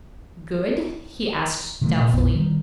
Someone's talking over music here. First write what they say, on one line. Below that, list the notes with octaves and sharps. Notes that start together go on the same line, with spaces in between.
'Good?' he asked doubtfully.
C3 D#3 A3
A#2
A#1 F2 B3
D#3 G3